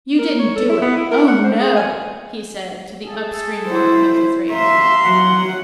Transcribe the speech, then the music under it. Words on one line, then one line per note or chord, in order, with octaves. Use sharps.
"YOU didn't do it--oh no!" he said to the up-stream one of the three.
A#4
C#5
A4
E4
B3
E4
A#4
F#5
C5
G#4
G#5
G#4 A4
E4 C5
E5 F5 A#5 C6
F#3 F#5